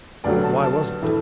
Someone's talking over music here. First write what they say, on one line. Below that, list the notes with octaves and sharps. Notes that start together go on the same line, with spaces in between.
But why was it?
G2 D3 F#3 A3 D5
A5
A5
A2 E3 A3